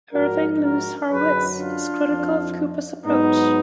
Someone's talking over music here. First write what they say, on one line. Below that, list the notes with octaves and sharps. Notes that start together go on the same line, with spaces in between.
Irving Louis Horowitz is critical of Kuper's approach.
G#2 F3 F#4 A#4
F#4 A#4
F#2 D3 F#3 G#4 B4
D4 F4
F2 F3
G#2 F#3 B3 D#4